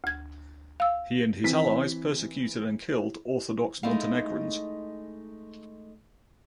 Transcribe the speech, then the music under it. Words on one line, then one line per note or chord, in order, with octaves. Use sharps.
He and his allies persecuted and killed Orthodox Montenegrins.
D2 G#6
F5 E6
E3 C4 B6
G#3 A3 D#4 E4 F5